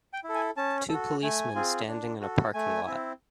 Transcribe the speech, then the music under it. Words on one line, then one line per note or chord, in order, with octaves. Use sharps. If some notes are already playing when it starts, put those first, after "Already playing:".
Two policemen standing in a parking lot.
G5
E4
A4
G#5
C#4 A5
F#4 A4
A3 G#5
C4 F4 G#4
D4
F#4 A4
A3 G#5
C4 E4